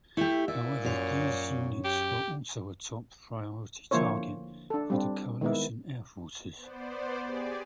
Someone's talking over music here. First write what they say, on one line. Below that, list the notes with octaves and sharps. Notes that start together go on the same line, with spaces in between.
However, these units were also a top priority target for the coalition air forces.
A3 E4 G4
A#2 E5
F#2 C#5
G4
D3 F3 A#3 E4 C5 C#5
D4 A4
G3 C4 D4
D#3 G#3 B3 E4
B3 C5 D5
G4 G#4 D5 G#5